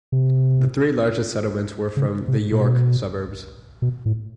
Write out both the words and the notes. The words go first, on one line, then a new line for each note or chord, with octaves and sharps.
The three largest settlements were from the York suburbs.
C3
C#3
C3
A#2
B2
B2
A2